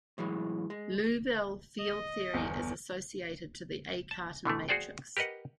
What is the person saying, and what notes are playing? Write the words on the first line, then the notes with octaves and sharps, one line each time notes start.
Liouville field theory is associated to the A Cartan matrix.
A2 E3 F#3 G#3
G#3
D#5
G1 E2
A5
B2 D3 E3 A3
F#4 G#4 C5 D5 G5
G4 A#4 B4 D#5 F#5